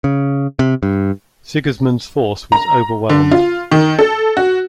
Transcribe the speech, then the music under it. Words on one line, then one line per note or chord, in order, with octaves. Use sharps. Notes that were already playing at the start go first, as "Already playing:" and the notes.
Sigismund's force was overwhelmed.
C#3
C3
G2
A#5
D3
F4
D#3
A4
F#4